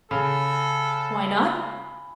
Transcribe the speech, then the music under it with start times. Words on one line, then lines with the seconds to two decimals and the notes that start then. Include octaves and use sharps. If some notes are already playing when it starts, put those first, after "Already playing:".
"Why not?"
0.11 C#3 A4 G#5 B5